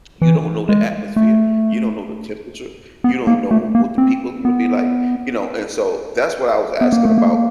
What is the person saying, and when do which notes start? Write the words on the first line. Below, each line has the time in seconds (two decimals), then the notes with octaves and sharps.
you don't know the atmosphere, you don't know the temperature, you don't know what the people are gonna be like, you know? And so that's what I was asking about,
0.22 E3
0.69 G#3
1.16 A3
3.04 B3
3.27 A#3
3.51 A3
3.75 A#3
3.98 C4
4.45 B3
6.81 B3
6.93 A#3
7.05 A3
7.18 A#3